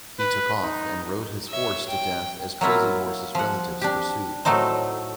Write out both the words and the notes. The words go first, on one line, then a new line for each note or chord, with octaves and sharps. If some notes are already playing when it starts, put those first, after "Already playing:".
He took off and rode his horse to death as Crazy Horse's relatives pursued.
B4
D#4
C#5 E5
G5
F#3 A#3 E4 F4
F3 F#5
D4 G4
A2 F#3 A3 D#4 C5